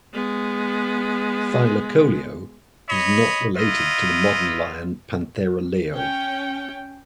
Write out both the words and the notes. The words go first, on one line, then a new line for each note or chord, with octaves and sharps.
"Thylacoleo" is not related to the modern lion "Panthera leo".
G#3 B3
C#5 D#5 B5
E4 F4 D#5
C#4 G5